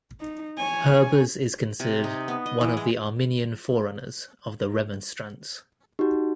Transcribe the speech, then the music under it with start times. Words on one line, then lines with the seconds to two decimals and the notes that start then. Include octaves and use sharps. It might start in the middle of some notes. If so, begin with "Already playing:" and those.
Herbers is considered one of the Arminian forerunners of the Remonstrants.
0.20 D#4
0.57 C#5 G#5
1.80 C3
2.04 D#4
2.28 B3
2.46 D#5
2.61 E3
2.77 G#3
5.99 D#4 F#4 G4